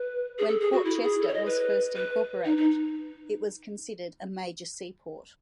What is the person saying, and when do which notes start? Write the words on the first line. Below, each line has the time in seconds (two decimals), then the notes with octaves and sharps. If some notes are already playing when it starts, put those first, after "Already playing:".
When Port Chester was first incorporated, it was considered a major seaport.
Already playing: B4
0.39 G#4
0.48 A4
0.60 G#4
0.72 F#4
0.85 E4
1.03 G#4
1.22 A4
1.27 C#5
1.34 D#5
1.46 B4
1.95 B4
2.45 D#4
2.57 D#4